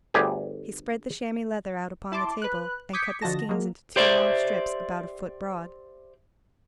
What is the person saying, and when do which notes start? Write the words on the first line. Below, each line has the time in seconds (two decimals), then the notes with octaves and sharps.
He spread the chamois leather out upon the table, and cut the skins into two long strips, about a foot broad.
0.14 G1 D2 G2 G4 G#4
2.12 E4 A5 C6 D6
2.42 B4 F#6
2.93 D6 D#6 G6 G#6 B6 C#7
3.21 D3 F3 F#4 D#5 A5 A#6
3.49 F#3 G#3 A#3
3.96 G4 C5 D5 E5